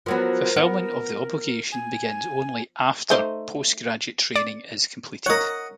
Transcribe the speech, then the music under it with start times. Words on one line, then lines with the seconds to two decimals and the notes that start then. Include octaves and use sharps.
Fulfillment of the obligation begins only "after" postgraduate training is completed.
0.06 F3 F#3 B3 A#4
0.56 B3
1.72 G#5
3.10 A3 D#4 C5
4.36 D5
5.26 A#4 C#5 D#5 F#5